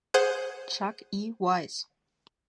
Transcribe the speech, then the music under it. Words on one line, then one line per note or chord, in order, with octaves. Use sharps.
Chuck E. Weiss.
G#4 C5 F#5